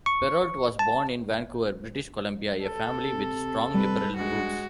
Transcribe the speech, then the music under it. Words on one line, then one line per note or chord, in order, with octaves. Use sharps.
Perrault was born in Vancouver, British Columbia a family with strong Liberal roots.
C#6
A5
A4
C3
C3 G3 B4
G2 G#3 F#4